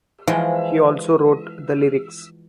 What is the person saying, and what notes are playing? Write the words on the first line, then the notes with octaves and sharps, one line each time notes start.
He also wrote the lyrics.
E3 F3 G#3 F#4 G5